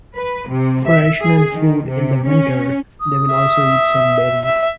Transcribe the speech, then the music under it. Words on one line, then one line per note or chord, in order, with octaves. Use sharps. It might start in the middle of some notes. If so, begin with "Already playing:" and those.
For additional food in the winter they will also eat some berries.
B4
C3
E5
G#4
D#3
C3
C#4
D#6
E5
E5